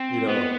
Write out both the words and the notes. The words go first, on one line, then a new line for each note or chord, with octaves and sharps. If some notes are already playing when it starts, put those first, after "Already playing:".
you know.
Already playing: C4
B3